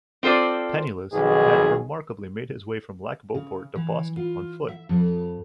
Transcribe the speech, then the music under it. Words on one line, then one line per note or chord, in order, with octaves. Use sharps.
Penniless, he had remarkably made his way from Lac-Beauport to Boston on foot.
C4 F4 A4 C5 D5
B1 F2 B2 D#3 G#4
C#3
E3
F4
E5
F2